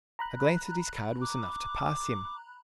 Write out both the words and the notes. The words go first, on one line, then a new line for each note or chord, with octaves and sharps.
A glance at his card was enough to pass him.
A#5 B5 F#6
D6